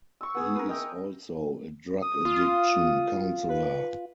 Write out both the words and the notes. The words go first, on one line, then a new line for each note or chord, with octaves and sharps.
He is also a drug addiction counselor.
C#6 E6
B3 G#4
A#4 B4
D#5 E5 G5
D#6
F4
B4